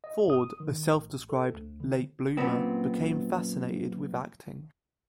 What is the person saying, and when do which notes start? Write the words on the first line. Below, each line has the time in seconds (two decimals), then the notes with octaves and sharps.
Ford, a self-described "late bloomer," became fascinated with acting.
0.04 D#5
0.30 D#6
0.60 D#3
0.93 A1
1.29 A4
1.53 D2
1.80 D3
2.37 F#2 A#2 C#3 B3 C4